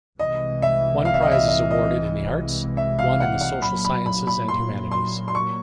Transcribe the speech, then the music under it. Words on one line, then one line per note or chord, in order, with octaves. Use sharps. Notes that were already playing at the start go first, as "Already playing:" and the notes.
One prize is awarded in the arts, one in the social sciences and humanities.
C2 C3 E3 G#3 D#5
E5
F5
E5
D#5
E5
D#5
D#5
E5
F5
F#5
F#5
A#2 F#3 A#3 B5
B5
B5
B5
C6
C6
C6
C#6